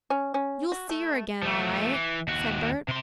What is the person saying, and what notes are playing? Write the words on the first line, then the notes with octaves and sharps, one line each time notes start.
"You'll see 'er again all right," said Bert.
C#4
C#4
F#4
A3
F3 A3
E3
D#2 F#4
C3 C6